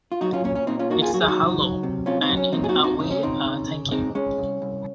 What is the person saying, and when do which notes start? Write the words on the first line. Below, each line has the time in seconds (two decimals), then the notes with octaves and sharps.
It's a hello, and in a way a thank you.
0.12 F4
0.21 F#3 D#4 F#4
0.33 C#4 F4
0.44 A#2 C#4
0.55 C#4
0.67 A#2 C4 D#4
0.79 C#4 F4
0.90 A#3 D#4 F#4
1.02 F4 G#4
1.14 F#3 F#4
1.21 G#4
1.28 D#4 F#4
1.38 C#2
1.60 F#3
1.83 C3
2.06 C4 C#4 F4
2.21 C4 D#4
2.29 F#3
2.37 C#4
2.52 A#2 C4 D#4
2.64 G#4
2.68 D#4 F#4
2.75 C4
2.84 D#4 F#4
2.99 C#3 D#4
3.11 C#4
3.22 C#2 C4 D#4
3.46 C#3
3.68 C#3
3.91 G#3 C4 D#4
4.15 G#3 C#4
4.38 C2
4.62 C2